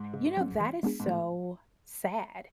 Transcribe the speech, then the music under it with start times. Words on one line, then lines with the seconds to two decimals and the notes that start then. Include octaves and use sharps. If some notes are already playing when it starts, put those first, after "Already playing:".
You know, that is so sad,
Already playing: G#2
0.14 C#3
0.37 F#3 C#4
0.61 E3
0.83 G#3 B3 D4 G#4
1.00 G#2
1.06 A2 E3